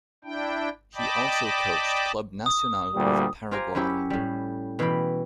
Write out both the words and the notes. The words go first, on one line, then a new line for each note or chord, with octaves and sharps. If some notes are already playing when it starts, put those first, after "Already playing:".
He also coached Club Nacional of Paraguay.
D4 E4 G5
D5 D#5 G5 A5 B5 D6
D#6
D2 A#2 G3
F4 G4 C5 G5 G#5 A#5
F#2 C#4 E4 G4 E5
A2 G3
B2 E3 F5 G5 B5